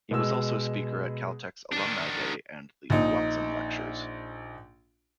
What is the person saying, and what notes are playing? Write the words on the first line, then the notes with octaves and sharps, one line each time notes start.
He was also a speaker at Caltech's Alumni Day and the Watson Lectures.
B2 G#3 E6
D#3 D4
A#1 D#4